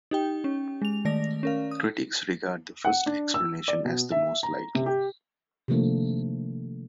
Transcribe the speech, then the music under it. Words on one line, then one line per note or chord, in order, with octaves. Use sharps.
Critics regard the first explanation as the more likely.
D#4 G4 G5
C#4
G#3 F7
D#3 A3 D5 A#6
C#4 A#4 F5
D#6
F#5
D4
E6
D5
B2
E5
A#5
C3
G4
C3 D#3 F3 A3 A#3 D4